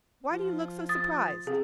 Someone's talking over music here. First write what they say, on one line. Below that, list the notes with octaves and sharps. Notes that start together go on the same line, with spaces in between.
Why do you look so surprised?
F3
D#6 A6
C3 G#4